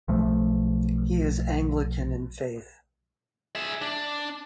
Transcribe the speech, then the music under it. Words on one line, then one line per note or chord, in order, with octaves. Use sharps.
He is Anglican in faith.
B1 F3 A3
G#4 E5
D4